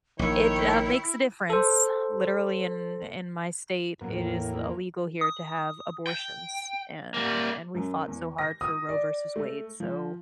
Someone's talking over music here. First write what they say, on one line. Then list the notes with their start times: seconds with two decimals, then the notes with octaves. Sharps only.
it, uh, makes a difference. Literally, in in my state, it is illegal here to have abortions, and and we fought so hard for Roe v. Wade, so
0.19 A#1 D#3 E4 C#5 G5
1.50 A4 C5
4.01 F#2 A2 A#3 B3
4.14 E2 A#3
5.21 D#6
6.07 G5
7.14 G3 A#3
7.75 F#2
8.07 E2
8.38 A#6
8.61 D#6
8.89 D5
9.36 A3
9.80 F3